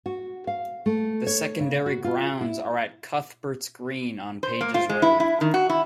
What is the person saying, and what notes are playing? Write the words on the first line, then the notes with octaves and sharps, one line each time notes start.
The secondary grounds are at Cuthberts Green on Pages Road.
F#4
F5
A3
C#5
C#3
F#4
F4
E4
C5
A#3
F4
G#3
E4
E4
D#3
F#4
E4